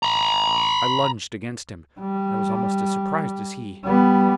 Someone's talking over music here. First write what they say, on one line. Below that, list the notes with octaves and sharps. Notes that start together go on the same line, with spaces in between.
I lunged against him--I was almost as surprised as he.
A#5 B5
G3
G3 B3